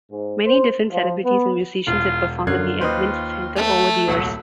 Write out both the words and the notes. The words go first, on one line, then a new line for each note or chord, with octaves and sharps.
Many different celebrities and musicians have performed at the Edmunds Center over the years.
G#2
C5
F3
B3
E1 F4
F#2 D3 F#3 F4 F#6 G#6 C7
D#2 B4 C5 D#5 G6
A3
D#1 C2 F#3 E6